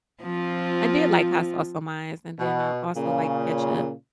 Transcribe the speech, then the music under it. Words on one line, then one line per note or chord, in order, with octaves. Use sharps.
I did like hot sauce on my mine's and then I also like ketchup.
F3 C4 F4
B2
A#2 C#3